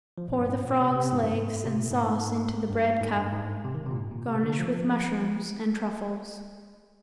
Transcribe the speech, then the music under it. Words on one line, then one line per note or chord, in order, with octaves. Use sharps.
Pour the frogs legs and sauce into the bread cup, garnish with mushrooms and truffles.
F3
A#2
G2
G#2
A#2
C3
C3
G#2
G2
G#2
C3
A#2
G#2
G#2
G2
G#2
G2
G#2
C3
D#3
C3
A#2
G#2
A#2
C3
D3
F3
F3